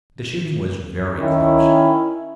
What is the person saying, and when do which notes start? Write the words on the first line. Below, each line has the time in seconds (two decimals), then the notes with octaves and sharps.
The shooting was very close.
1.20 D#3 C#4 E4